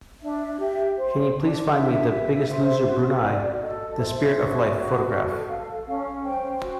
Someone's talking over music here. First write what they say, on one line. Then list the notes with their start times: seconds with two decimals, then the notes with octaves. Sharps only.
Can you please find me The Biggest Loser Brunei: The Spirit of Life photograph?
0.22 D4 E5
0.59 G4 E5
0.97 C5
1.35 D4
1.73 D4 E5
2.10 G4
2.48 C5
2.85 F#4
3.23 F#4 D5
3.60 A4 D#5
3.92 D#5
3.99 C5 E5
4.36 F#4
4.74 F#4
5.12 A4
5.49 A4 F5
5.87 C#4 F5
6.25 C5 G5
6.62 F#4